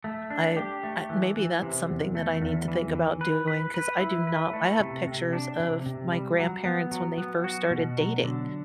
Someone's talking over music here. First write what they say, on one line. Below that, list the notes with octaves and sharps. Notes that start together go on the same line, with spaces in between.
I I maybe that's something that I need to think about doing, 'cause I do not I have pictures of my grandparents when they first started dating
A3
D4
G4
A3
E3
E3
C3
E2
A3
E2
E3
E3
B4
B4
B4
E4
B4
A3
C3
C3
D4
C3
C3
G3
F#3
B3
F#3
B3
F#4
B2
F#3
D3